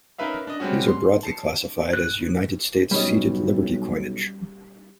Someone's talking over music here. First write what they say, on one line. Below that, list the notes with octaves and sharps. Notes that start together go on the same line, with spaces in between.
These are broadly classified as United States Seated Liberty coinage.
C#4 D#4 A#4 B4 E5 F5
D4 D#5
G3 G#3 C4 C#4 F#4
C6
A5 C7 C#7
F#6
B1 G3 C#4 D#5